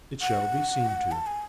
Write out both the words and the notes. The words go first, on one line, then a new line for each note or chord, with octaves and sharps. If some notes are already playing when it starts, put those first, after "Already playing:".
It shall be seen to.
F#5
A5
G#5